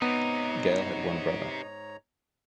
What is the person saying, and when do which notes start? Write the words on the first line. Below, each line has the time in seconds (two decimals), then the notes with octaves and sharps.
Gale had one brother.
0.02 G#2 C3 B3 D#4 C#5 A#5